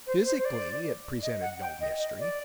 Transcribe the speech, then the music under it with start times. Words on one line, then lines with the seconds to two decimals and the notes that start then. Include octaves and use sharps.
Physically it presented no mystery.
0.07 C5
0.26 C5
0.39 C5
0.45 D5
1.22 D#5
1.42 F#5
1.61 G5
1.80 D#5
2.00 D#5
2.19 D5